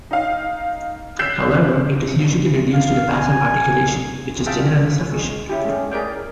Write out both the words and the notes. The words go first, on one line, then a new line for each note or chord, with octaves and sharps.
However, it is usually reduced to the passive articulation, which is generally sufficient.
D#4 F5
E6 F#6 G6 B6 C7 E7
F5
G#5
G#4 E5 F5 G5 A5
G#3
C#4 E4 G4
G#3 A3 C#4
G#4 A#4 D5 G5